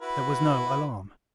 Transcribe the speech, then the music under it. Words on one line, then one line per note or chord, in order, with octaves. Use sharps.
There was no alarm.
E4 F#4 B4